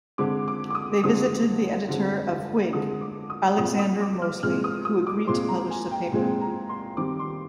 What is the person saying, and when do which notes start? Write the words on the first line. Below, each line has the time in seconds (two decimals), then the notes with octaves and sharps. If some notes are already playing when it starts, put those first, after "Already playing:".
They visited the editor of Whig, Alexander Mosely, who agreed to publish the paper.
0.18 D3 G#3 C4 D6
0.48 D6
0.70 D6
0.75 D#6
1.04 D3 G#3 C4 D#6
1.88 D3 G#3 C4
2.73 D3 G#3 C4 D#6
3.01 D6
3.30 D#6
3.58 A#2 G#3 C4 D#6
3.79 D#6
4.01 D6
4.22 F6
4.43 A#2 G#3 C4 F6
4.64 D#6
4.85 D#6
5.07 D6
5.27 A#2 G#3 C4 C6
5.48 A#5
5.70 G#5
5.91 G5
6.12 A#2 G#3 C4
6.41 A#5
6.69 C6
6.97 D#3 G3 C4 D6
7.19 C6